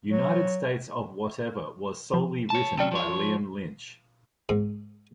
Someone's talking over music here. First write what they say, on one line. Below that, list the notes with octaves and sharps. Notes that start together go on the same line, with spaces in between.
"United States of Whatever" was solely written by Liam Lynch.
F#3
F3
C#5 A5
C3 F#3 C#4 D5 G5 A5
F3 C#5
G#2